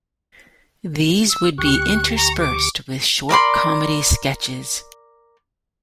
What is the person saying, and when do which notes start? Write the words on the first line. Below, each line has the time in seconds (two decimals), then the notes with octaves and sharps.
These would be interspersed with short comedy sketches.
1.30 E6
1.58 D2 G4 C#6 F#6
2.16 A#5
2.40 D6
3.29 A#4 D5 B5 C6